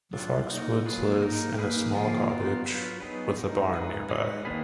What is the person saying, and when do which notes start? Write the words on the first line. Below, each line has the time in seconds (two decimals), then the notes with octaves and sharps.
The Foxwoods live in a small cottage with a barn nearby.
0.13 F#3 D4 F4
0.49 A#3 D#4 F#4
0.85 F#3 A#3 F4 G#4 B4
1.21 A#3 D#4 A#4
1.57 A#3 D#4 G#4 B4
1.93 D3 F3 A#3 F4 G#4
2.29 B3 F4 A#4
2.65 F#3 D4 F4 B4
3.00 F#3 B3 D#4 G#4 B4
3.37 G#3 D#4 A#4
3.73 G#3 D#4 G#4 B4
4.09 G#3 D#4 F#4 B4
4.45 D#3 A#3 D4 G#4 B4